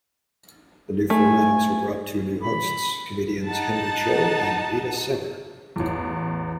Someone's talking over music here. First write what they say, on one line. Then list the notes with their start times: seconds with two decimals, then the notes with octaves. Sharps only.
The new format also brought two new hosts: comedians Henry Cho and Rita Sever.
1.10 A3 G#5
2.41 B5
3.45 D#4 F#5 A5
5.76 A1 E2